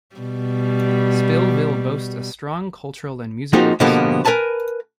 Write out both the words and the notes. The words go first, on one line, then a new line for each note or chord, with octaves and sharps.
Spillville boasts a strong cultural and musical history.
B2 G3
F3 G#3 A#3 C4 D#4 F#4
B2 D3 F3 A#3 B3 G4
A#4 B4 G#5 A5 B5